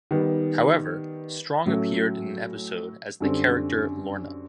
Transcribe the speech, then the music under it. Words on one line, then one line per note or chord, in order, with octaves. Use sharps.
However, Strong appeared in an episode as the character Lorna.
D#3 G3 B3
A2 F#3 A3 C#4
F#2 D3 G3 C4